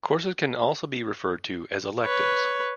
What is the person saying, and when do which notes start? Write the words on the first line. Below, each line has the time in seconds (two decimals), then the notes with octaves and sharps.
Courses can also be referred to as "electives".
2.03 B4 C#5